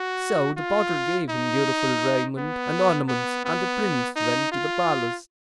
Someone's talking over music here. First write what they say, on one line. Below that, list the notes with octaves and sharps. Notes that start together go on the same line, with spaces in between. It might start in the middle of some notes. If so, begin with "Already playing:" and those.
So the potter gave him beautiful raiment and ornaments, and the prince went to the palace.
Already playing: F#4
F4
D#4
B3
B3
B3
D#4
F4